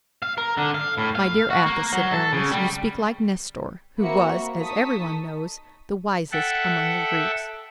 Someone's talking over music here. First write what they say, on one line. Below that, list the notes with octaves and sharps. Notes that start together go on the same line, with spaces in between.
"My dear Athos," said Aramis, "you speak like Nestor, who was, as everyone knows, the wisest among the Greeks."
F5
A#4
D3
F5
A2
F5
F#4
A#3
F#3
A4
C#3
G3
A#3 C4 F#4 E5 B5 C#7
D#4 A4 A5 C#6 D#6 B6
A4 E5 F#5 G5 A5